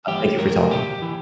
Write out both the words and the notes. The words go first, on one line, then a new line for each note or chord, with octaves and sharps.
uh, thank you for talking.
G2 E3 G4
G2 E3 A#4
A#2 G4
E3